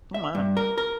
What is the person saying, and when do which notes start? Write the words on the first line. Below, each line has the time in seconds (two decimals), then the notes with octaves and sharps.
Oh my.
0.14 E5
0.35 G2
0.57 A#4
0.78 A#4